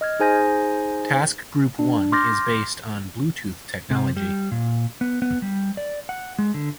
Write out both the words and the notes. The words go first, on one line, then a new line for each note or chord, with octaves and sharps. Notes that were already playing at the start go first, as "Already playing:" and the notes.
Task group one is based on Bluetooth technology.
D#5 F6 G#6
D#4 G#4 C5 G#5 G6 A#6
D4
C6 D6 F6 G6 A6 A#6
C3
G3
A#2
B3
B3
G3
D5
F#5
G#3
D3